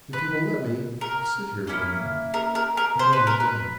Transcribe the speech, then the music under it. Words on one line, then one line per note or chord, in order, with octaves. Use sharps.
If you will let me, I'll sit here for a minute, and then I'll go.
B4
A#4
A#3 C#4 E4
A#4
A#4
A#4
C5
B4
A#4
B4